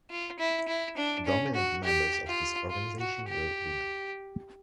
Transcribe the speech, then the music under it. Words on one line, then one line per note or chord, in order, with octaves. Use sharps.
Dominant members of his organization were women.
F4
E4
E4
D4
C#4
F#4
G4
F4
F4
F#4
G4